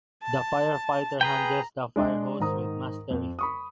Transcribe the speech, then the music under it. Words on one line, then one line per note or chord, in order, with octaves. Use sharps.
The firefighter handles the fire hose with mastery.
A5
G#4 B4 G5 A#5
G#3 D4 D5 D#5
G#2 D#3 C5 A#5 D#6
F2
B5 C#6 D#6